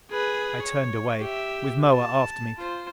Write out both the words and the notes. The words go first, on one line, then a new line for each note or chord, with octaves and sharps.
I turned away, with Moa after me.
G#4 B4
C#5
G4 E5
A5
F4 C5